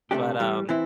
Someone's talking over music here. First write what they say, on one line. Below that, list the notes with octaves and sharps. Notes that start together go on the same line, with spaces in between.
But, um,
C3 A3 D4 G4
E2 E3 G3
E3 C4 E4